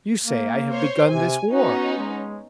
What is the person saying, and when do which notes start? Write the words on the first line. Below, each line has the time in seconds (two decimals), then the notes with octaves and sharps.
You say I have begun this war!
0.25 A#3
0.73 C5 C#5
1.10 C3 G#5
1.51 B3 C#4 D#4 F#4
1.97 G#3